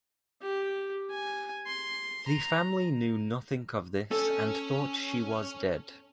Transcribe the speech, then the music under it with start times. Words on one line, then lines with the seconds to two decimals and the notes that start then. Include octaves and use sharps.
The family knew nothing of this and thought she was dead.
0.41 G4
1.10 G#5
1.66 C6
2.28 A#5
4.11 C#4 A4